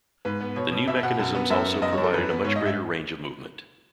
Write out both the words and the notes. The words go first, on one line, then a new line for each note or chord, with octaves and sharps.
The new mechanisms also provided a much greater range of movement.
G#2 B4
B3
B2 C#5
B2
B2 E5
B2 F#5
F#2 F#5
B3
F#2 E5
B3
F#2 D#5
C#5
F#2
A4
E2 B4
B3
G#2 C#5
D#5
G#2
E5